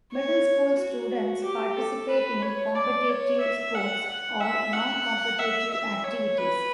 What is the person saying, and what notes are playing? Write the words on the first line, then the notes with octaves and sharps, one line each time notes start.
Middle School students participate in competitive sports or non-competitive activities.
C#5
F#4
G4
A4
B4
C#5
D5
C#5
E5
F#5
F#5
E5
F#5
E5
E5
C#5
B4